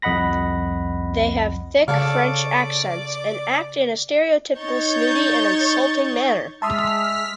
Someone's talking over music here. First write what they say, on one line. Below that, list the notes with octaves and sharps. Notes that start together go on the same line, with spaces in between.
They have thick French accents and act in a stereotypical snooty and insulting manner.
C2 F2 D#5 F#5 B5 A#6
C#3 A4 C#5 D5 F5
D#4 C#5 C#6 G6 A6
G#3 E5 A5 C6 D#6 F6 B6